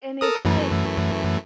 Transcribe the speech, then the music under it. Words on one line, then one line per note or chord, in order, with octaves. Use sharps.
and it's like,
A4 A#4 D#6
F#2 E3 A3